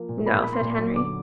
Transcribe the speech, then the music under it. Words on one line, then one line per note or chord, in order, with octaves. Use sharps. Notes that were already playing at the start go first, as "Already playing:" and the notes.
"No," said Henry.
Already playing: F3 A#3
A#2
A#3 B5
A#3 B5
C6
A#2
F#3
D3 D6